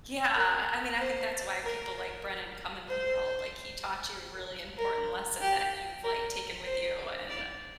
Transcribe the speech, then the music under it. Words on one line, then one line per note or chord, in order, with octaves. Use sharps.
Yeah, I I mean, I think that's why people like Brennan come in the world, like, he taught you a really important lesson that you've, like, taken with you and
A#4
C5
A#4
C5
A#4
G4
A#4
C5
D5